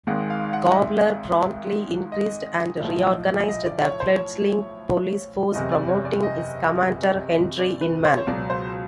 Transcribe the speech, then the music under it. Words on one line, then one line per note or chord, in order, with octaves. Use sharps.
Gawler promptly increased and reorganized the fledgling police force, promoting its commander Henry Inman.
G#1 G#2 D#3 G#3 F#5
F5
F#5
D#5
E5
D#5
B1 A2 F3
D#5
D5
C#5
C5
C#5
F#1 E2 C3 D#5
D5
C#5
D5
D#5
D5
B4
C5
C#5
C#2 B2 F#3 D5
C5